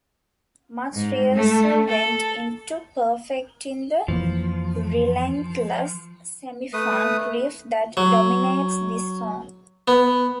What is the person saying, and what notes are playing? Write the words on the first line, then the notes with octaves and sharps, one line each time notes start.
Much rehearsal went into perfecting the relentless semi-funk riff that dominates this song.
G#2
A3
A4
F2 E3 F3 A#3
A3 B4 D#6
F#3
B3